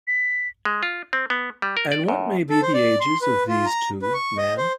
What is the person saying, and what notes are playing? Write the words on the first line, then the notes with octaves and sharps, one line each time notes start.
And what may be the ages of these two, ma'am?
B6
G#3
F4
C4
B3
G3
A#4
D5
F#2
A4
C5
D5
C6
B4
F4
A#5
B4
C#6
D#5
C5